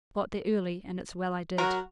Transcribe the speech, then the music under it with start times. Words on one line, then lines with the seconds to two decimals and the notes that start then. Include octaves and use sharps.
I got there early, and it's well I did.
1.58 F#3 F#4 A#4